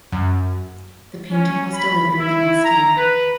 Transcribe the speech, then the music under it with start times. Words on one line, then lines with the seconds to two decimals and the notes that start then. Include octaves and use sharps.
The painting was delivered the next year.
0.12 F#2
1.31 C#4
1.74 B5
2.18 E4
2.64 A#5
2.96 B4